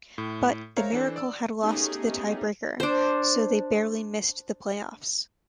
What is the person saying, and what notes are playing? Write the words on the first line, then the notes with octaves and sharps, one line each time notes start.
But, the Miracle had lost the tie-breaker, so they barely missed the playoffs.
A2
A#4 C5 C#5 E5 F5 A#5
E3 D4 A4 C5
D5 E6
A3 B3 C#4 D#4 G4 G#4
D4 C5